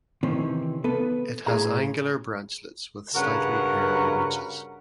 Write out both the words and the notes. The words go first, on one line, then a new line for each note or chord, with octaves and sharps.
It has angular branchlets with slightly hairy ridges.
C3 D#3 E3 C4 C#4
B3 A4 B4
A2 G#4 A#5
G2 C#3 F#4 A#4 B4 F#5